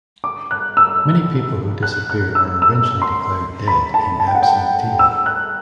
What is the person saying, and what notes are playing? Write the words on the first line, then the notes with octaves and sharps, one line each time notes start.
Many people who disappear are eventually declared dead "in absentia".
D6
F#6
E6
F#6
F#6
E6
E6
C6
B5
A5
A5
G5
F#5
G5
E6
F#6